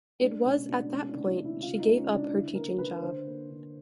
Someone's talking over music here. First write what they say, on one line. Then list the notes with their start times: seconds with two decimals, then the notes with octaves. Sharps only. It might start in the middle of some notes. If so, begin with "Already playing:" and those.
It was at that point she gave up her teaching job.
0.21 G#3 D4
0.45 B2 C#4
0.69 B2 D4
0.91 G#3 C#4
1.09 D4
1.14 D#3
1.27 E4
1.39 D#3
1.45 E4
1.62 C#3 F4
1.79 D#4
1.85 G#3
1.97 C#4
2.09 C#3
2.14 D4
2.32 D3 E4
2.55 A#3 A#4
2.78 D3 B4
3.02 D3 C5
3.26 A#3
3.49 D3